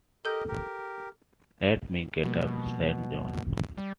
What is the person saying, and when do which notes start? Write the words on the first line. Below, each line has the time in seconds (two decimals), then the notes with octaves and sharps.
"Let me get up," said John.
0.25 G4 A4 A#4 D#5 G6
0.48 G4 A#4
2.24 B2 F3 G3 A#3
3.78 G3